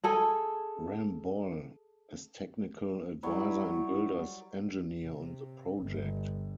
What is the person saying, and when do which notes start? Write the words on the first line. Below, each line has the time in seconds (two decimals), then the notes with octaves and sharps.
Ramboll is technical advisor and builder's engineer on the project.
0.04 G#4 A4 G#5
3.23 F#3 G3 E4 C#5
5.01 C3
5.80 G1